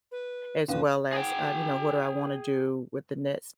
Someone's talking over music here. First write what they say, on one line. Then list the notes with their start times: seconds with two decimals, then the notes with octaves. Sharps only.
as well as, uh, you know, what do I wanna do with the next,
0.12 B4
0.68 D#2 A#2 F3 C#4 B4 F5
1.13 G#4 G5